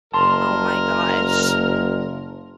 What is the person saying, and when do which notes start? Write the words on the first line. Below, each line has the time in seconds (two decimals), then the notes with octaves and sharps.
Oh my gosh.
0.14 F#1 A#4 A5 C6